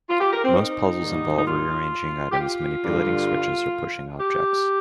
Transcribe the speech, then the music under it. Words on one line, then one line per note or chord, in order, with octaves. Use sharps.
Most puzzles involve rearranging items, manipulating switches, or pushing objects.
F4
G4
A#4
C4
D#4
G#2 D#3 G3 A#3
D#4
F4
G4
F4
G2 D3 G3
G4